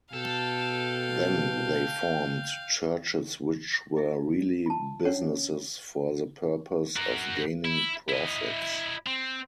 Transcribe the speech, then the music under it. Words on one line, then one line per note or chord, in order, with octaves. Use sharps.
Then they formed churches which were really businesses for the purpose of gaining profits.
B2 A4 F5 G5
D#5 E5
F4 A5
C#4 D4 C#5 F#5
F#4 A#4
E4
E4 D#5
C4